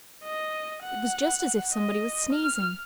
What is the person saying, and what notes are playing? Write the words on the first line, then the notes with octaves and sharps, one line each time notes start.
It was just as if somebody was sneezing.
D#5
F#5
D#5
F6